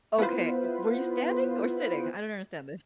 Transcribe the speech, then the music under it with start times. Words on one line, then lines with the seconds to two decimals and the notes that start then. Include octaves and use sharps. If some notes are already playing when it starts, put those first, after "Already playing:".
okay, w were you standing or sitting? I don't understand this.
0.19 B3 E4 F4 B4 C5